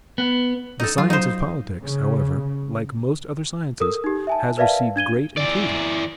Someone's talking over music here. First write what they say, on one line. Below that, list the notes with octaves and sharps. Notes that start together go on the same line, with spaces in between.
The science of politics, however, like most other sciences, has received great improvement.
B3
D#4 A4
F#3 F4
D#4 C5
C#3
A4 A#4 D#6
D#4 G4
E5 G#5 A5
A#4 B4 D5 E5 F5 A5
D4 G#6 D#7 G7
E3 D5